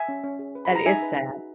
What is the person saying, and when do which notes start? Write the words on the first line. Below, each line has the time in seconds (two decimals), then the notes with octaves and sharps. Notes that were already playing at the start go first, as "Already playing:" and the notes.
That is sad.
Already playing: E5 G#5
0.09 C#4
0.24 C#4
0.39 G#4
0.55 B4
0.65 B5
0.71 G#4 A#5
0.86 D#4 E5 G#5
1.02 B4
1.17 G#4
1.33 F#4